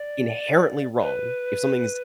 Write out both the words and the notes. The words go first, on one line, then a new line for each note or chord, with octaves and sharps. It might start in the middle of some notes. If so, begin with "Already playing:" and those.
inherently wrong, if something's
Already playing: D5
B4